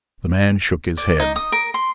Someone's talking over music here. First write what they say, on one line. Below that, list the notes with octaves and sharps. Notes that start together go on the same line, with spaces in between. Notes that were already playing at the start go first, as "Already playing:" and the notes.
The man shook his head.
D5
D#4
D#6
A#4
C6